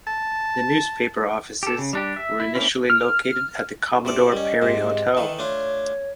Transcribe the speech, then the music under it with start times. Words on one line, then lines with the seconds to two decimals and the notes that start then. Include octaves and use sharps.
The newspaper offices were initially located at the Commodore Perry Hotel.
0.07 A5
1.63 G4 A4
1.79 C#3
1.93 G3 D4 G4
2.16 E5
2.40 E4
2.55 A#3 C4 C#4 E4
2.90 F6
4.05 C3 A4 D5
4.32 G3 C#4 D#5
4.62 G#2 C3
5.17 D#3 E3 A4
5.39 A3 D4 F4 C#5